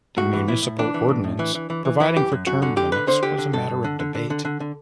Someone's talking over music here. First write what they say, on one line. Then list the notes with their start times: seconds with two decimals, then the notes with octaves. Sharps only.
The municipal ordinance providing for term limits was a matter of debate.
0.17 A2 F#4
0.33 E3
0.48 A2 E4
0.63 A2
0.79 E3 D4
0.94 E3
1.08 A2
1.24 A2
1.39 E3
1.55 E3
1.70 E3
1.85 E3
2.00 E3 E4
2.16 F#2 G4
2.32 F#2
2.46 F#2 F#4
2.62 D3 F#4
2.76 D3 G4
2.92 D3 B4
3.07 D3 C5
3.23 D3 G4
3.38 D3
3.53 G2 A4
3.69 G2
3.84 D3
4.00 D3
4.15 D3
4.30 D3
4.45 D3
4.60 D3